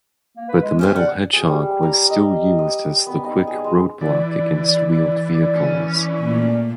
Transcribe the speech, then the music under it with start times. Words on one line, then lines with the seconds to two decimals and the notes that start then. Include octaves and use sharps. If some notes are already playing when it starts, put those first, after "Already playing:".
But the metal hedgehog was still used as the quick road-block against wheeled vehicles.
0.37 A#3
0.49 B4
0.62 G#3
0.79 C#4 G4 C5 E5
0.96 D5 F#5
1.33 G#4
1.48 G3
1.83 A#5
2.10 D#5
2.59 D#6
3.07 B3
3.25 D#4
3.47 G#4
3.64 G#3
4.01 E3 D5
5.56 C#4
6.20 A#2 A3